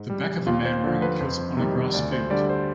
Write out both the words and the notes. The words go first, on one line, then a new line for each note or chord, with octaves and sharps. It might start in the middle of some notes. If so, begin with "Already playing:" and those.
The back of a man wearing a kilt on a grass field.
Already playing: G#2
G3
D#2 F4
C5
D3 F3
B4
F2 C5
C3 D#3 G3
D2 D5
C5
D3 G3 D5
C5